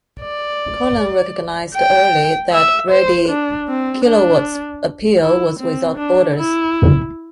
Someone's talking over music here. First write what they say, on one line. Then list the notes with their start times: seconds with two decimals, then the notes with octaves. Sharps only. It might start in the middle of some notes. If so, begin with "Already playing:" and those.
Collins recognized early that Reddy Kilowatt's appeal was without borders.
0.22 D5
1.75 G5
2.53 E5
2.91 C5
3.29 D4
3.68 C4
4.06 D4
5.21 E4
5.59 C4
5.98 D4
6.36 E4